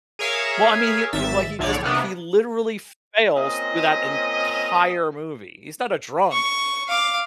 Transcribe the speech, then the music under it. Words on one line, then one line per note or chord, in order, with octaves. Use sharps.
Well, I mean, he l he well, he just he literally fails through that entire movie. He's not a drunk,
G#4 A#4 C#5 E5 F5
G#1 E5 A6
B1 A2 D3 C#5 D5
C3 A#3 B3 D4
A#2 C4 C#4 D#5
C#6
F5 D6